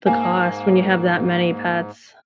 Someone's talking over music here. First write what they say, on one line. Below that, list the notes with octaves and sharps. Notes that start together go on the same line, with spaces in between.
the cost when you have that many pets.
G#2 A#3 G#5